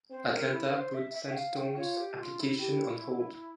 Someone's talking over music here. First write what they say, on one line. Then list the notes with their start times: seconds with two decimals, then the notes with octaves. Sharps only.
Atlanta put Sandtown's application on hold.
0.11 C4 C5
0.31 A#4
0.52 E4
0.68 A#4
0.73 C5
0.94 E5
1.14 E5
1.31 G5
1.35 F5
1.55 G5
1.77 F4 C#5
1.97 G4
2.19 F4
2.39 E4
2.59 G4